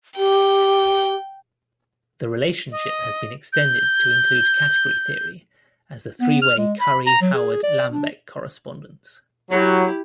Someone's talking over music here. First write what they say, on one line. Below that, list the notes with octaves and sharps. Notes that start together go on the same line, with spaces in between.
The relationship has been extended to include category theory as the three-way Curry-Howard-Lambek correspondence.
G4 G5
D#5
G6
B3
F6
G#3
B5
A#5
F#3
G#4
D5
D4
F#3 E4 G4